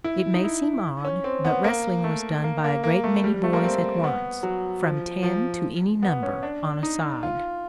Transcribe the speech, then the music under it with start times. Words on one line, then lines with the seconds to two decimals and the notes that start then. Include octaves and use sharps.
It may seem odd, but wrestling was done by a great many boys at once--from ten to any number on a side.
0.04 E4
0.34 D#4
0.44 E4
1.05 C#4
1.24 C4
1.44 B3
1.64 A#3
2.04 A3
2.44 A#3
2.64 A#3
2.84 A#3
3.04 A3
3.24 G3
3.34 G3
3.44 A3
3.53 A#3
3.64 C4
4.04 B3
4.43 F#3
4.84 F3
5.23 F3
6.03 B3
6.23 C#4
6.43 D4
6.83 D#4
7.23 F4